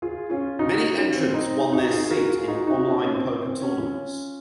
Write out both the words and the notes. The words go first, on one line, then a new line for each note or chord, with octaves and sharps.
Many entrants won their seat in online poker tournaments.
F4 G#4
C#4 F4
D#4 F#4
D#4 F#4
C#4 F4
C4
C4 D#4
D#4 F#4
F4 G#4
G#4
F#4 A#4
F4 G#4
D#4 F#4
D#4 F#4
C#4 F4
C#4
C4
C#4
C4
C#4
C#4 F4